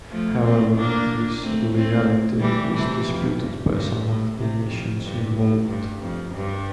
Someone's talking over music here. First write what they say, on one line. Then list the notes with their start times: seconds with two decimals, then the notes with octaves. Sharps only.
However, this legality is disputed by some of the nations involved.
0.10 F3 A3
0.43 A3 C4
0.76 A#3 D4
1.42 A3 C4
1.74 A3 C4
2.40 E3 G3
2.73 C3 E3
3.06 F2
3.39 G2
3.71 G2
4.04 A2
4.37 C3
4.70 F2
5.03 G2
5.35 A2
5.68 G2
6.01 F2
6.34 G2